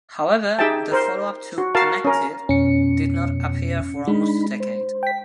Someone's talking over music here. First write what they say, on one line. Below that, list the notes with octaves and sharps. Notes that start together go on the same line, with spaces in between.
However, the follow-up to "Connected" did not appear for almost a decade.
D#4 G4 G#4 E5 G5 A5
A#4 C5
F#4
F#4 A#4 F5 A5
C#4 A#4
F2 B2 C#4 C#7
G#3 D4 D#4 B5
C5
G5 B6